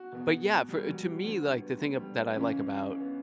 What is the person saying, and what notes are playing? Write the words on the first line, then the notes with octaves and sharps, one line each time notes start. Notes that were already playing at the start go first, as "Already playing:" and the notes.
but, yeah, for to me, like, the thing ab that I like about,
Already playing: F#4
E2 B2
G3
F#3
G3
D2 D3 F#3
G3
B3
A3
G3
B3
C#2 C#3 E3 C#4
C#4
B3